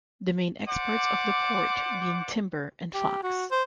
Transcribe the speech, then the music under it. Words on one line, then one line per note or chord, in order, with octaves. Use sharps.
The main exports of the port being timber and flax.
C5 D5 F#5 D6
G4
F#4
C5